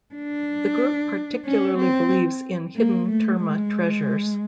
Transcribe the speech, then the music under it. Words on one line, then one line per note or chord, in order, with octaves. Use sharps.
The group particularly believes in hidden terma treasures.
D4
C#4
C4
A#3
A3
G#3